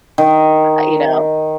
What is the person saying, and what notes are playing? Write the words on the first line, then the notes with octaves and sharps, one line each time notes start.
uh, you know.
D#3